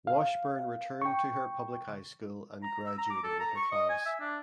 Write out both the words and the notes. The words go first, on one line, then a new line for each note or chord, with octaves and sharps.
Washburn returned to her public high school and graduated with her class.
F5
G5 C#6
A#5
E6
A#5
D6
A4
A#5
C#6
D#5
G#5
E5
D4